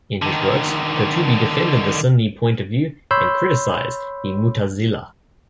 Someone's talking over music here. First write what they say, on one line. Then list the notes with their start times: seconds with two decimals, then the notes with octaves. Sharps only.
In his works, Qurtubi defended the Sunni point of view and criticized the Mu'tazilah.
0.22 D3 D#3
3.11 C#5 B5 C6 E6 G6